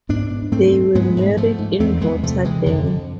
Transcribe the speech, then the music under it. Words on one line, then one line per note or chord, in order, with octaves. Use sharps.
They were married in Rotterdam.
G#2 B3 D4
G#2
G#2 A3 C4
G#2
G#2 G#3 B3
G#2
G#2 F3 A3
G#2
E2 A3 C4
E2 G#3 B3
C3 F3 A3
C3 E3 G#3
F2 D3
F2